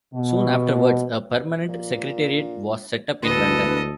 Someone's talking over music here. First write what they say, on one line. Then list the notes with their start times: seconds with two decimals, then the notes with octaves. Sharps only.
Soon afterwards, a permanent secretariat was set up in London.
0.14 B2
1.69 A#2
3.22 E1 D2 A4 B4 D#5